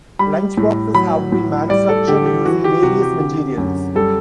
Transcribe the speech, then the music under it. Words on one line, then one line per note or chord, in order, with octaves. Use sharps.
Lunch boxes have been manufactured using various materials.
G3 B5
A2
F#3 B5
A2
G3 D5
A4
D3 G4
G4
E3 F#4
G4
C3 F#4
G4
D3
F#2
G3 A4